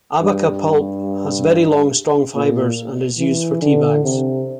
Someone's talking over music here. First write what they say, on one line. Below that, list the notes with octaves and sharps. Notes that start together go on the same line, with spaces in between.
Abaca pulp has very long, strong fibers, and is used for teabags.
G2
A#2
E3
D3
C3